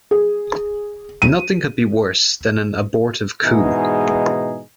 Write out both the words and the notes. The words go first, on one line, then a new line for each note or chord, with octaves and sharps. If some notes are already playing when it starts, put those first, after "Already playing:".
Nothing could be worse than an abortive coup.
G#4
D#7
G#2 B2 E3 G#3 D#4 G#4